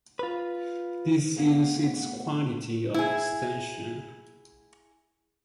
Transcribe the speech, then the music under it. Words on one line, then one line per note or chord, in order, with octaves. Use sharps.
This is its quantity of extension.
F4 B4
A2 B3 G#4 F5 F#5
E4 G#4